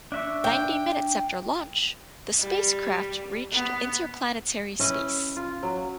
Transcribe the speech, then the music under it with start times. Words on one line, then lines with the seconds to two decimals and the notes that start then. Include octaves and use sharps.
Ninety minutes after launch, the spacecraft reached interplanetary space.
0.12 D4 E5 C#6
0.44 G5
2.40 G3
3.52 B3
4.80 C#4 E4 B4 D#5
5.36 F4
5.63 F#3